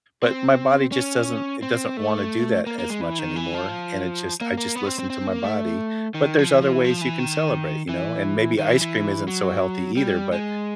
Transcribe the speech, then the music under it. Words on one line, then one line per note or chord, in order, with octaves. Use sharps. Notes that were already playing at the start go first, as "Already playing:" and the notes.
But my body just doesn't it doesn't want to do that as much anymore. And it just I just listen to my body. But there's other ways you can celebrate, you know? And maybe ice cream isn't so healthy either, but
C4
C#4
C4
A3
A#3
A#3
G#3
E3
D#3
E3
F3
A#3
A#3
B3
C4
C4
C4
A#3
A3
D#3
F3
E3
F3
E3
F3
E3
D#3
E3
D#3
E3
E3
F#3
G3
G#3